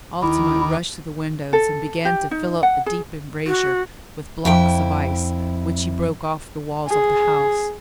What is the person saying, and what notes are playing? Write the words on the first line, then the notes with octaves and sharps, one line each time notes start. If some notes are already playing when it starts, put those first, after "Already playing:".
Altamont rushed to the windows, and began to fill up the deep embrasure with blocks of ice, which he broke off the walls of the house.
D#2 D#3 E4 D6
A4
G4
D#4
F#5
G#4
F#4
F2 E4 G5
G#4